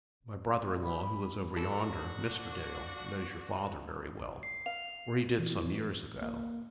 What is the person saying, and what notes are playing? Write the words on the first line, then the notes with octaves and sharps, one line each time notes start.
My brother-in-law who lives over yonder, Mr. Dale, knows your father very well,--or he did some years ago.
B5
F3 D4 F#4 A4
C7
F5 F7
E3
A#3